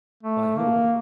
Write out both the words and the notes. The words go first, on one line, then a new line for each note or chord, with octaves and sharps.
"By whom?"
A3
A#3